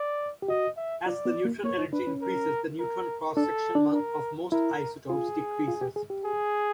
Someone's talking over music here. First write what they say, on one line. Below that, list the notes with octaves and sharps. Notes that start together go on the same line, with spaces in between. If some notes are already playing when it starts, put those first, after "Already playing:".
As the neutron energy increases, the neutron cross section of most isotopes decreases.
Already playing: D5
G4
F#4 D#5
E5
F4 D5
B3
A#3
A#3 C#5
D#4
D4 B4
C#4
A#4
A#4
D4 A4
D4
A#4
E4 A#4
F4 G#4
F4
G4
G#4
G4
G#4